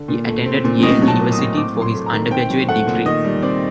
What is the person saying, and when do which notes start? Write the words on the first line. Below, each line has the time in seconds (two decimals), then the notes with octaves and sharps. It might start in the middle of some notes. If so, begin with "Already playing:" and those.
He attended Yale University for his undergraduate degree.
Already playing: D3
0.08 A#2
0.27 A3
0.46 C4
0.64 A#2
0.83 A2 D#5
1.02 F#3
1.08 A5
1.20 A#3
1.32 D#6
1.39 A2
1.57 C4 D6
1.75 F#3
1.82 C6
1.94 A3
2.06 A#5
2.13 D#3
2.31 C4 G5
2.50 F#3
2.69 A3 F#5
2.87 A#2
3.05 D#3 D#5
3.24 G3
3.42 C4 D5